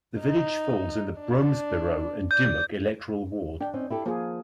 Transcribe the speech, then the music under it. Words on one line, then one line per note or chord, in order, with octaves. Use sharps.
The village falls in the 'Bromesberrow and Dymock' electoral ward.
D#4
D4
D5 G6
D4 G5
C4 C#4 D#4
E4 G4 A4
F3 A#3 G#4